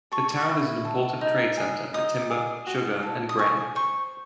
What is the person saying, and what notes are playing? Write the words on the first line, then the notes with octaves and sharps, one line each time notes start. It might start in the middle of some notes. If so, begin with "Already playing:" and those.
The town is an important trade center for timber, sugar and grain.
A4 C#6
C#6
E4
A4
D#4
G#4
D#4 D#6
G#4
F#4
A4
D#6
G#4 C#6
C5 C#6